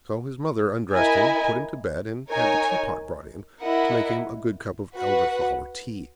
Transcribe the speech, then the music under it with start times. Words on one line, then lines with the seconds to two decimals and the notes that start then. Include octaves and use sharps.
So his mother undressed him, put him to bed, and had the tea-pot brought in, to make him a good cup of Elderflower tea.
0.95 E4 A#4 D#5 G#5
2.28 D#4 A#4 C#5 G#5
3.62 E4 A#4 D#5 F#5
4.96 F#4 B4 F#5